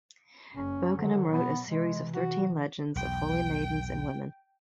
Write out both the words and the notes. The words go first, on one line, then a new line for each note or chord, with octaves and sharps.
Bokenam wrote a series of thirteen legends of holy maidens and women.
F#1 C#4
D3 D#3 F#3
B2 B3
C3 E3 G#3
F#4
B1 E2 G5